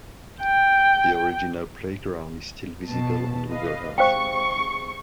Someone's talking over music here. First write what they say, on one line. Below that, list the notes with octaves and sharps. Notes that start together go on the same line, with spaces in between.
The original playground is still visible on Google Earth.
G5
B2 A5
B4 D#5 F5
G#2 C3 C5 F5 G5 C#6